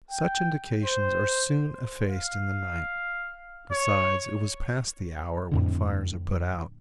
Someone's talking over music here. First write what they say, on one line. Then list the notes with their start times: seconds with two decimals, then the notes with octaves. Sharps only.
Such indications are soon effaced in the night; besides, it was past the hour when fires are put out.
0.11 G5
0.84 C5
2.11 F5
3.72 C#5
5.51 F2 A2 D3